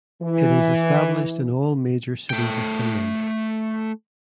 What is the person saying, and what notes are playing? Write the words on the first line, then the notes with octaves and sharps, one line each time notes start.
It is established in all major cities of Finland.
E3
A3 G5